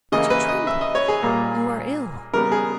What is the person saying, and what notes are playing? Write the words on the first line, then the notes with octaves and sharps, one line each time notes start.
But you tremble--you are ill!
C#3 E3 A#3 D#5
B4
D#5
E5
D#5
C#5
G#4
A#2 G3 A#3
C#3 G3 B3 A#4
G#4